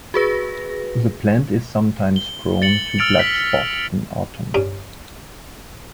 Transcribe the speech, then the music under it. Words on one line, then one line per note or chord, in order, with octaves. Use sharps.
The plant is sometimes prone to blackspot in autumn.
F#4 G#4 B4 A#6
G7
A6 C#7 F#7
E6 F6 A6 D7 F7
B6
G2 C#4